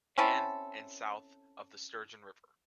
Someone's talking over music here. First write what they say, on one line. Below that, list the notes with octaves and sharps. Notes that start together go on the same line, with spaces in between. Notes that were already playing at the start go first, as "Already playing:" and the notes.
Anne and south of the Sturgeon River.
C4 C#4 E4 A4